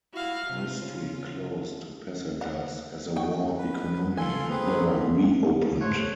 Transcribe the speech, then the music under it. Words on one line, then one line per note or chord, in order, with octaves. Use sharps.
High Street closed to passengers as a war economy and never reopened.
E4 F#4 F5
C3 F4
C#3
F#5
A3 F#4 G5
B4
F4 A4 G#5 C6
C4 G#4 B4
F#3
G#2 A3 C5 C#5 F#6